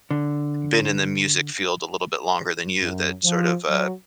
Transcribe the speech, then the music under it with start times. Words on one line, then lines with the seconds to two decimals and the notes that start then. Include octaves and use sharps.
been in the music field a little bit longer than you that sort of, uh,
0.11 D3
2.82 F#2
3.25 F3
3.70 F#3